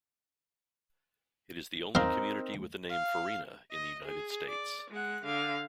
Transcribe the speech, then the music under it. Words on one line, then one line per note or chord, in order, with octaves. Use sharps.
It is the only community with the name "Farina" in the United States.
C4 D#4 A#4 F5 C6
F5
D#5
G#4
D5
G#3 F#5
D3 F5